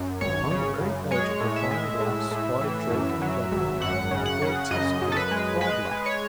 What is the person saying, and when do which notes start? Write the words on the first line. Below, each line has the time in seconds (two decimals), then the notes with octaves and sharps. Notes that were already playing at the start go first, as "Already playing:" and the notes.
Upon the very edge of the flying blocks squatted Drake and Ventnor, grotesquely frog-like.
Already playing: F#2
0.21 G#1 C#5
0.51 C#3
0.81 F#2
1.11 G#3 C#5
1.40 A2
1.56 E5
1.71 G#3
2.00 A2
2.31 A2
2.61 E3
2.91 F#2
3.22 F#3
3.52 G#1
3.80 F#2 F#5
4.11 C#3
4.26 F#5
4.42 C#3
4.71 F#2 D#5
5.01 F#2
5.12 A4
5.17 B4
5.31 G#3
5.61 G#3 B4
5.91 G#3
6.06 C#5